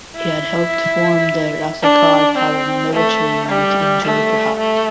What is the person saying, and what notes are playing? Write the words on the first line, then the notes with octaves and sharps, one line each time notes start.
He had helped form the Razakar paramilitary unit in Joypurhat.
E4
D4
C4
A3
G3
A3
A3